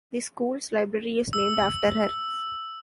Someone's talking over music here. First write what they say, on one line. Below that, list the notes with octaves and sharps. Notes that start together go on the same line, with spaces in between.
The school's library is named after her.
E6